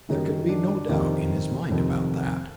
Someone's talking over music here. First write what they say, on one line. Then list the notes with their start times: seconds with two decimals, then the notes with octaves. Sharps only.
There could be no doubt in his mind about that.
0.08 F#2 D#3 G3 D#4
0.49 D4
0.89 F1 F2 C3 D#3
1.69 F1 F2 C3 D#3